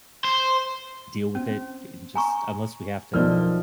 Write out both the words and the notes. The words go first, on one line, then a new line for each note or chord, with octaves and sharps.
deal with it and just unless we have to,
C5
C4 C#4
G#5 A#5 C#6
B1 F3 A#4 D5 F6